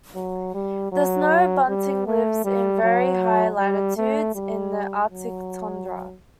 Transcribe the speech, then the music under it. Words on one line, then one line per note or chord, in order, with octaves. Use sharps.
The snow bunting lives in very high latitudes in the Arctic tundra.
F#3
G3
F#3
G3
A3
G3
F#3
G3
A3
G3
F#3